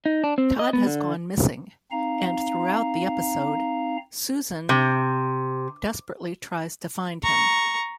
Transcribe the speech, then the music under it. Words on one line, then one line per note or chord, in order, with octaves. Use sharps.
Todd has gone missing, and throughout the episode, Susan desperately tries to find him.
D#4
D4
C4
D#5
B3
D3
C4 D#4 F5 A#5
C3
A#5 C#6